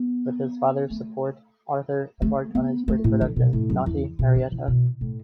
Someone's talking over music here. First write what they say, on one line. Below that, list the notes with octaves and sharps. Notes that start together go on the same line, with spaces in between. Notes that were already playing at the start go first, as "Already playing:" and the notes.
With his father's support, Arthur embarked on his first production, "Naughty Marietta".
Already playing: B3
A3
A3
B3
A3
A2
D3
B2
A2
F#2
E2
B2
D3
E3
B2
A2